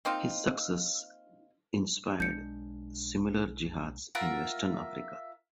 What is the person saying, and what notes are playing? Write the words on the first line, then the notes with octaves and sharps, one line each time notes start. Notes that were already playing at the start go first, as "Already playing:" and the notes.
His success inspired similar jihads in Western Africa.
A#3 C4 D#4 F4
B1 G#3 D4 G6 C#7
F4 A#4 E5 F#5